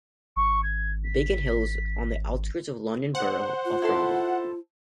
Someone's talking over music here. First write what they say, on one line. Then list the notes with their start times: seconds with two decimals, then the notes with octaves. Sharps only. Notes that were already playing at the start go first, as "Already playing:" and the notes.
Biggin Hill is on the outskirts of the London Borough of Bromley.
0.36 G#1 C#6
0.63 G#6
1.04 B6
3.15 C5 F#5
3.65 F4
3.82 E4 A4 C6